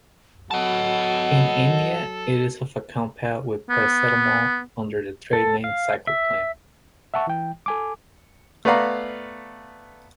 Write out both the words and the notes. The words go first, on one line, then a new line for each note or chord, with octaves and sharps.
In India, it is of a compound with paracetamol under the trade name Cyclopam.
F#3 A4 D#5 F#5 A5
B3
A4
F5
E5
E5 F#5 A5 C#6
E3 G5
A4 G#5 D6
A3 B3 B4 D5 F5 A#5